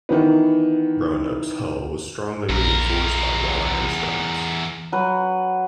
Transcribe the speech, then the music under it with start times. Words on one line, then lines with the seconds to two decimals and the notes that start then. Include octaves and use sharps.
"Roanoke"s hull was strongly reinforced by wrought iron straps.
0.09 D#3 E3 B3
2.49 A#1 E2 A#4
4.92 F#3 B4